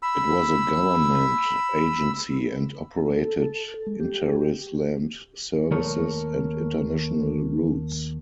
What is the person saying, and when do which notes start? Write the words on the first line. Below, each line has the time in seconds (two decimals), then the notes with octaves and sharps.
It was a government agency and operated interisland services and international routes.
0.02 B5 E6
3.17 A4
3.87 G#3
4.00 G4
5.71 D#2 A3 A#4 C#5